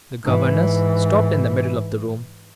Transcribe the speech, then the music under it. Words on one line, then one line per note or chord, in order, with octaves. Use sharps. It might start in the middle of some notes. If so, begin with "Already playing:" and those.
The governess stopped in the middle of the room.
G#2 E3